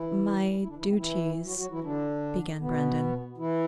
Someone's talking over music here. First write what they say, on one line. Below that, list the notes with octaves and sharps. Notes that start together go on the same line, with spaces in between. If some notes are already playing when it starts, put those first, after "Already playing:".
"My duties--," began Brandon.
Already playing: E3 E4
E4
D3 D4
E3 E4
C3 C4
E3 E4
F#3 F#4
F#3 F#4
E3 E4
D3 D4
B2 B3
E3 E4